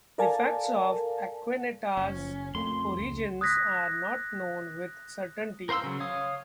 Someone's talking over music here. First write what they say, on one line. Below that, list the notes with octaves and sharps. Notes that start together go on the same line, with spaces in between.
The facts of Acquanetta's origins are not known with certainty.
A4 A#4 D5 F5 G#5 A5
F#1 C#4
F2 A3 A#3 C6
C#2
D#6 F#6 G#6 A#6 B6
A#4 C5 F5 C6 E6
C#3 F#3
C#5 F5 D#6